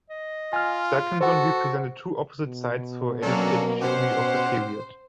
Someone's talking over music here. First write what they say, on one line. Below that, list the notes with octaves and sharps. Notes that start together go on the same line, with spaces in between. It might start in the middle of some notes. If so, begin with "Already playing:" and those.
Salkinsohn represented two opposite sides for educated Jewry of the period.
D#5
F4 G#5 F6
F#4 A4 C5 F#5
B2
F#3 A#3 C#4 D4 A4
C#4 G4 C5 F#5